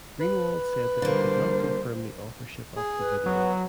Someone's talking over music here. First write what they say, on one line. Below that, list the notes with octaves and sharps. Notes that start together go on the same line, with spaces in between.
Greenwald said that he could not confirm the authorship of the video.
B4
D3 G3 A#3 C5
G#4
B4
F#3 B3